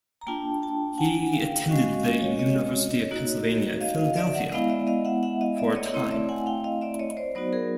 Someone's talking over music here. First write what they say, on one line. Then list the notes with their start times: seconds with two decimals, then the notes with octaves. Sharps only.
He attended the University of Pennsylvania at Philadelphia for a time.
0.21 A#5
0.27 A#3 D4 F4 G5 A5
0.63 G5 A5
0.98 F#5 G#5
1.33 F5 G5
1.69 G#3 C#4 F#4 D#5 F5
1.86 D#5 F5
2.04 D#5 F5
2.22 C#5 D#5
2.39 C#5 D#5
3.11 A#3 D#4 F#4
3.81 D#5 F5
3.99 D#5 F5
4.16 D5 E5
4.34 E5 F#5
4.52 G#3 B3 E4 D#5 F5
4.70 D5 E5
4.87 D#5 F5
5.05 E5 F#5
5.23 E5 F#5
5.41 D#5 F5
5.58 D5 E5
5.76 C#5 D#5
5.94 A3 C4 E4 C#5 D#5
6.11 D5 E5
6.29 F#5 G#5
6.46 F5 G5
6.64 D#5 F5
6.81 D5 E5
6.99 C#5 D#5
7.17 C5 D5
7.35 F#3 B3 D#4 F#4 C5 D5
7.53 G#4 A#4